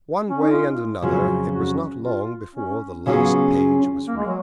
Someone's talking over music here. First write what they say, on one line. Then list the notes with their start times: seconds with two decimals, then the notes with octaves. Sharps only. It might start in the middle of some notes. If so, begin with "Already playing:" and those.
One way and another it was not long before the last page was reached.
0.30 C#4
0.41 D#4
0.51 F4
1.02 F2 C#3 F#3 C#4 F4
1.53 F#4
2.04 F4
2.55 C#4
3.06 C#3 F#3 B3 C#4 F4 G#4
4.08 A#3
4.17 G#3
4.26 F#3